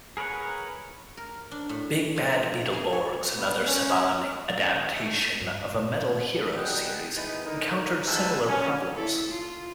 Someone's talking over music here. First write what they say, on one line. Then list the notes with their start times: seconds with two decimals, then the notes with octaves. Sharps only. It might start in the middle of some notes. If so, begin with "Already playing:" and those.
"Big Bad Beetleborgs", another Saban adaptation of a Metal Heroes series, encountered similar problems.
0.17 G#4 A#4 B4 C#5 F#5
1.17 A#4
1.51 D4
1.69 A2
2.16 F3
2.73 G#4
2.93 C#5
3.37 B3
3.66 C#4
4.49 F#3
4.63 F#5
4.76 D#3
4.91 E5
5.06 A3
5.41 G2
5.74 A#2
6.56 F#2 G3 G#4 D#5 F#5 G5
7.15 D#3 E3 G#3 B3
7.45 D3 D#4 A#4
8.06 G#2 F#3 B4 E5 G5 A5
8.47 C#4
8.96 E4 A4
9.29 F4